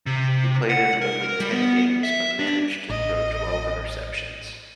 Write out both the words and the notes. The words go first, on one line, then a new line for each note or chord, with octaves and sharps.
He played in only ten games but managed to throw twelve interceptions.
C3
F#5
A#4
G3
B3
E5
D4
A1 D#5